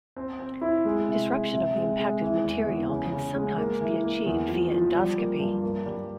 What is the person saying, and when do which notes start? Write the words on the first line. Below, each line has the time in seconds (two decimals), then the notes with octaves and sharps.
Disruption of the impacted material can sometimes be achieved via endoscopy.
0.16 C4
0.39 C4
0.61 E4
0.85 G#3
1.08 C3
1.30 G#3
1.53 C3
1.76 G#3
1.99 G#3
2.22 E3
2.44 E2
2.66 E2
2.89 C#3
3.13 C#3
3.35 G#3
3.58 A#3
3.81 E3
4.04 A#3
4.26 E2
4.48 F3
4.72 F3
4.95 G3
5.18 A#3
5.40 G2
5.63 A#3
5.86 G3